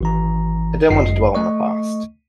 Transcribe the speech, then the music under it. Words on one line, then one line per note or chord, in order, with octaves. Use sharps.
I don't want to dwell on the past.
G#1 E3 A#5
G1 F#2 D#5 C7
A3 D#5 C#6